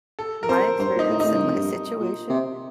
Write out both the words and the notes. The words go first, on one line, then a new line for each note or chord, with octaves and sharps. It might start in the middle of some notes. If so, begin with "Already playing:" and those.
my experience and my situation,
A4
A#4
F2 C5
G2 C5
A#2
D#4
A2
A2 D#4
G2
F2
G2
A#2
C3